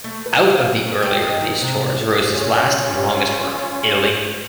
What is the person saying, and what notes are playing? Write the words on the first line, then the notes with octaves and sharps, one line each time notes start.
Out of the earlier of these tours arose his last and longest work, "Italy".
A3
B4
F5
A3
G4
D#4
D#3
C3
C#4 F4 C#5